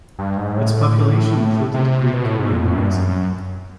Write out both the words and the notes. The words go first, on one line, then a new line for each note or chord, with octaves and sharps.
Its population included a Greek minority.
G2
G#2
A2
C3
B2
A2
G#2
F2
F2
F#2
G2
F#2